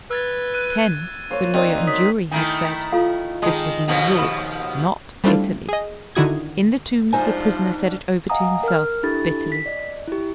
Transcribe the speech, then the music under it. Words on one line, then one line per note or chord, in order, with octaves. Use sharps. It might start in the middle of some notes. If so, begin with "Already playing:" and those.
Ten, the lawyer and jury had said: this was New York, not Italy. In the Tombs the prisoner said it over to himself, bitterly.
B4 E6 G#6 A6
F#6 D#7
A#3 C5 C#5
C4 D#4 A#4 D5
F#3 D#6 B6
D#3 A3 E4 G#5
F4 A4 F5
D#3 G#3 D#5 A5 D#6
D#2 B2 F3
B5 C#6
G3 A3 C4 D4 E4 F4
G#4 D#5
D3 D#3 E4 F#4 D#6 G#6
G#2 F3 G3 D4 D#4 C5 E5 G#5
D#5 F5 F#5 G#5 A#5 D#6
A#4 F6
D4 E4 G4 A4 B5 A6
B6
D5 D#5
E4 G4